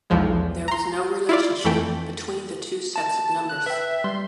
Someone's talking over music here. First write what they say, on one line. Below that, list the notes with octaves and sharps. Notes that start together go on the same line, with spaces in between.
There was no relationship between the two sets of numbers.
B1 E2 F3 G#3
A#5 C6
E4 F4 D5
F2 E3 A3 G5
A5
F#6
B4 E5 G5
G3 C6